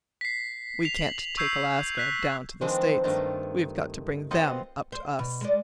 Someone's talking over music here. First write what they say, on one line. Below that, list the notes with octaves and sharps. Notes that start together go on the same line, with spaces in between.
We can't take Alaska down to the States--we've got to bring them up to us.
B6 C7
B6 F7
F#7
C#6 E6 G6 G#6 C7 F7
F#6 B6 F7
D#3 F3 G#3 B3 C4 D4
G2 D#3 A3 F4 A5 A#5
C4 F4 B4 C5 D#5 F#5
C5
B2
G#3 D5